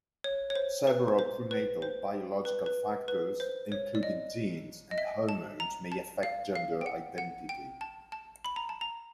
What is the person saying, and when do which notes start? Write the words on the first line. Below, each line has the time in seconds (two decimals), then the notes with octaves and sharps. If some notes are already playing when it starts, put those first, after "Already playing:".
Several prenatal, biological factors, including genes and hormones, may affect gender identity.
0.24 C#5
0.50 C#5
0.55 C5
0.87 B4
1.19 C5
1.51 B4
1.82 C5
2.45 B4
2.66 B4
3.08 B4
3.40 C5
3.72 C#5
3.95 D5
4.03 D#5
4.91 D#5
4.98 E5
5.29 A5
5.60 A#5
5.92 A5
6.23 F5
6.56 F5
6.81 G5
6.86 F#5
7.18 F#5
7.49 G5
7.81 A5
8.12 A5
8.45 B5
8.56 A#5
8.69 A5
8.81 A#5